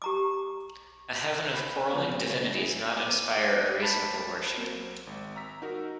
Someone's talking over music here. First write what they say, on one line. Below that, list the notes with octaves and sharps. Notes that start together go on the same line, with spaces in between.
A heaven of quarrelling divinities not inspire a reasonable worship.
G4 A#5 D6
B5
E3 F3 B3
C#3 F#3
D4
E4 G#4
D6 D#7
A5 B5 A6 B6
F#3 A#3 C4
G#1
A#5 E6 B6
D#4 F#4 A#4